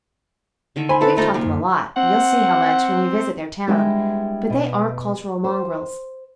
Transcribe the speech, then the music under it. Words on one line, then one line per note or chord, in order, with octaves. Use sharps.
We've taught them a lot--you'll see how much when you visit their town--but they aren't cultural mongrels.
D3 D#3 E5
C5 G#5 B5 C6
E4 A4 B4
A3 D#4 F4
C2 A#2
F#2
C4 F#5
G3 G#3 B3 D4 E4
B2
C5